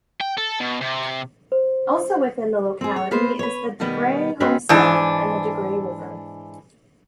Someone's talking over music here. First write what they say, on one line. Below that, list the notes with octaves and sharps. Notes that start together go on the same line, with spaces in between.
Also within the locality is the De Grey homestead, and the De Grey River.
G5
A4
B2
C3
C5
C4 G#4
C#5
A#3 B3 B4 C5
B4 C#5
B2 D#3 G3 B3 D#5
G#3 C4 C#4 F#4 B4
G#2 E3 D4